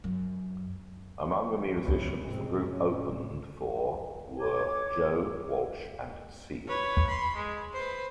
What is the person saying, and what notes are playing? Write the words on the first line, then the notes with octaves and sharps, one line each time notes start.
Among the musicians the group opened for were Joe Walsh and Seal.
F#2
G2 D#3 F3 A3
F#1 G#2 E3 F#3 B3
F1 A2 C#3 G#3 C4
A2 F#3 C#4
A2
C#5 D6 G#6
B4 C#5
B5 C6
G#3
B4 C5